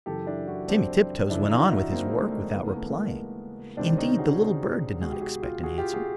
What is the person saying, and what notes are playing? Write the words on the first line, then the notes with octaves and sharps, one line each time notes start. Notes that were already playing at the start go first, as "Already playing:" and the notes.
Timmy Tiptoes went on with his work without replying; indeed, the little bird did not expect an answer.
F#2 C#3 E3 G4 A4
D4 E4
E4 F#4
C4 D4
F2 C#3 E3 D4 E4
D#4 F4
E4 F#4
A#3 C4
A3
G#3 A#3
D#2 C#3 E3 B3
A#3
A3
G#3 A#3
C#2 C3 D#3 C4 D4
C#4 D#4
F#4 G#4
C#2 B2 F#4 G#4
G4
F#4 G#4
F4 G4
F#4 G#4
F4 G4
F#4 G#4